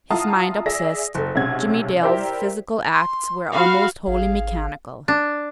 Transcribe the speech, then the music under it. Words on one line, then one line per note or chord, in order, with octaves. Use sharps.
His mind obsessed, Jimmie Dale's physical acts were almost wholly mechanical.
E4 F4 F#5 A5 A#5 D#6
G#4 D5 E5 A#6
F#1 A4
B1 C3 G#3 C#4 F#5 G#6
E4 G4 A#4 C5 D5
C6
F#4 F5 B5
G#1 G#4 F5
D4